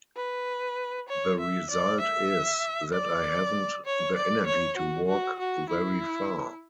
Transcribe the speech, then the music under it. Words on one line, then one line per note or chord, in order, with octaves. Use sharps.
The result is that I haven't the energy to walk very far.
B4
C#5
E5
D5
E5
D5
C#5
D5
C#5
F#4
F#4
F#4
E4